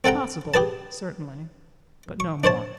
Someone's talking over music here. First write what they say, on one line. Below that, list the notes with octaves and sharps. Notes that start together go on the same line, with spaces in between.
Possible, certainly; but no more.
C4 A4 F#5 G5 A#5
G4 G#4 B4 A5
C#6
D4 C5 C#5 A5